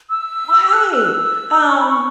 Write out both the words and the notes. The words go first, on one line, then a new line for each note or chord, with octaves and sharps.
Right! Um,
E6
F#6
E6
F#6
E6
C#6
B5
C#6